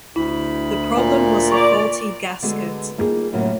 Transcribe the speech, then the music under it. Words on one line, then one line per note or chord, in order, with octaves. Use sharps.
The problem was a faulty gasket.
D2 E4 B5
A#2
D5 A#5 C#6
D3 G#3 B3 F#4 A4 B4
G3 A#3 D#4 F4 G#4
F#2 A2 C#3 F#3 A#3